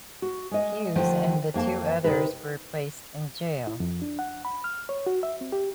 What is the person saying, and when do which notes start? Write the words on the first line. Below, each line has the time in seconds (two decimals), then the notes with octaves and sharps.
Hughes and the two others were placed in jail.
0.22 F#4
0.51 G#3 D#5
0.95 D#2 D3 F3 A3 C5 G5
1.54 F2 A#3 F5 A5
2.04 C3 D#4 A#4 B4
3.67 E4
3.80 F2
4.02 D4
4.19 F#5
4.45 B5
4.64 F6
4.89 C#5
5.06 F#4
5.23 E5
5.41 C4
5.52 G4